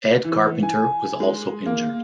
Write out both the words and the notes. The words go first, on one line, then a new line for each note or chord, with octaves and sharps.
Ed Carpenter was also injured.
E3
G#5
G#3
A#3